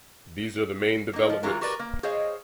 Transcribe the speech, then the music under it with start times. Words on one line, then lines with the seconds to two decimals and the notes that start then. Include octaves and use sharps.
These are the main developments.
1.13 A#3 D#4
1.30 F3
1.43 E3 F#3 G#3 F4 A#4
1.61 F#4 G4 A#4 B4 D5
1.79 A#3
2.03 G#4 C5 C#5 D#5 F5